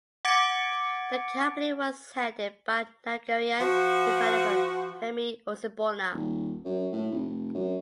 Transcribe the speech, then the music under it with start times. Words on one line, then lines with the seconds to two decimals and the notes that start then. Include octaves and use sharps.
The company was headed by the Nigerian developer Femi Osibona.
0.25 F#5 D6 G#6 A6 C#7 D7
3.61 F3 F#4
6.12 D#1
6.65 F#2
6.92 A2
7.11 F1
7.55 F#2